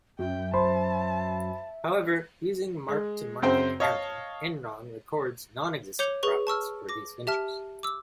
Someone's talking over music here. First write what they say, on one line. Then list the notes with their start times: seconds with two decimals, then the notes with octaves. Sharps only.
However, using mark-to-market accounting, Enron records non-existent profits for these ventures.
0.19 F#2 E5 G5
0.53 C5 A5 B5 C6
2.88 G#3
3.42 F#2 C#3 C4 C5 G5 C6
3.80 C#5 D#5 F5 A5
5.99 C#5 D6 G6 C#7 F7 G7
6.23 G#4 B4 C#6 G7
6.47 A5 C#6 E6 F6
6.89 D6 A#6
7.27 G4 E5 A5 F6
7.83 D6 E6